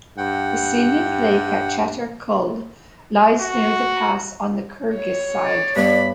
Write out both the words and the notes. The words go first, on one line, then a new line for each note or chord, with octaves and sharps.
The scenic Lake of Chatyr-Kul lies near the pass on the Kyrgyz side.
G2 F#5 G5
F#4
C#5
D5
G2 B3 D5 B5